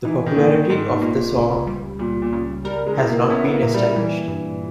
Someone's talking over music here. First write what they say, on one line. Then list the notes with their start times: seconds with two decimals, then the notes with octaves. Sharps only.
The popularity of the song has not been established.
0.05 E3 D#4
0.26 D#3
0.36 E3 A#3
0.48 D#3
0.70 G#2 D#4
1.01 A#2 A#3
1.35 C#2
1.67 G3
1.99 A#2 G3
2.22 A#2
2.33 C#3
2.65 G3 A#4
2.86 G#3
2.98 E4
3.09 A#3
3.26 C#4
3.30 B3 E4
3.44 B3
3.52 A#3
3.63 A#2
3.74 G3
3.86 G3
3.96 E3 G3
4.28 G2